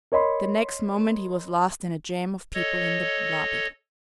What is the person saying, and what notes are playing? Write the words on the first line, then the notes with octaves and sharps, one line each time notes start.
The next moment he was lost in a jam of people in the lobby.
A#4 C#5 D#5 B5 C6
A4 C#5 D#5